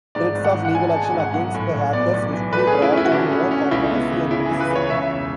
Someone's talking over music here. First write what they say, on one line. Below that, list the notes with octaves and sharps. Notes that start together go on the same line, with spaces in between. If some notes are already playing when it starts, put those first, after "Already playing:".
Threats of legal action against the hackers swiftly brought on more controversy and criticism.
G#2 D5
G#1
F#5
G#2
F#5
G#1 G#5
G#3 A5
G#5
G#2
F#5
B1 F#5
A2
A2
B3 D5
B1
E3
A3 B4
G#4
C#4
E4
C#4
E4
F#4
D3 E4
C#4
C#4
C#2 E4
B3
C#3
C#3 E4
G#4
E3
B4
C#2 C#5
C#3 E5
E1